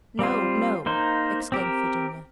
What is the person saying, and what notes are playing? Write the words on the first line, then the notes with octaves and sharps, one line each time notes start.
"No, no!" exclaimed Virginia.
G3 C4 F4
A#3 D#4 C5
C4 G4 A#4